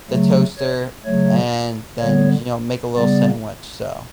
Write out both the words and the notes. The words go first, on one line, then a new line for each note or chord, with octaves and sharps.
the toaster, and then, you know, make a little sandwich, so
C#3 F#3 A3
C#5
C#3 F#3 A3 C#5
D3 G3 B3 C#5
C#3 G3 B3 D5